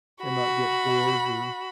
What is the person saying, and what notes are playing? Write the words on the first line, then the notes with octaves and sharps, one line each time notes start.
And not get bored or
F#4 B5